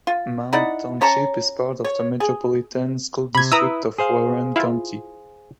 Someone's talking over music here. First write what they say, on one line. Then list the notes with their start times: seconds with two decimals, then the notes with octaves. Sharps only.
Mound Township is part of the Metropolitan School District of Warren County.
0.07 F4
0.53 D#4 E4 D5 F#5
1.01 C#4 C#5 A5 A#5
1.85 C#5
2.20 G#4
3.35 C3 B5 G#6
3.52 E4 B4 A#5 D#6 E6
3.98 G#4 C5 F5
4.56 E4 F4